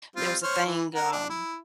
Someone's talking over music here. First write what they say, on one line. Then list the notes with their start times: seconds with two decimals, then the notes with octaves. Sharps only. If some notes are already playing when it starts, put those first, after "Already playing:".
there was a thing, um,
0.16 G3 C4 F4
0.43 C5 C#5 F6
0.66 E3
0.95 A#4 F#5 A#5
1.12 D4
1.30 E4